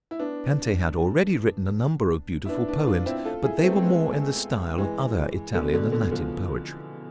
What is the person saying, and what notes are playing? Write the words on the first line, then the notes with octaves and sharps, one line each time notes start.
Dante had already written a number of beautiful poems, but they were more in the style of other Italian and Latin poetry.
E4
B3 D4
E4
B3 D4
B3 D4
D4 F4
C4 E4
F4 A4
E4 G#4
B3
A3 C4
C4
G#3 B3
E3 G#3
B2 D3
B2 D3
B2 D3
D3 F3